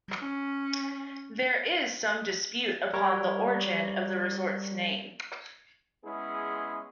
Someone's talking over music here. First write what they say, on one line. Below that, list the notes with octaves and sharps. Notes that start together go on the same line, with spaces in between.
There is some dispute upon the origin of the resort's name.
C#4
G3 A#4 C#5
G#3 B3 C#4 E4 G#4